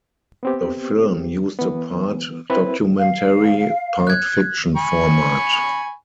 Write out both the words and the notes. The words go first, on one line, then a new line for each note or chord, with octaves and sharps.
The film used a part-documentary, part-fiction format.
B3 C4 G4
E3 B3
C4 E4 B4
F5
F#6 G#6
G#5 B5 C#6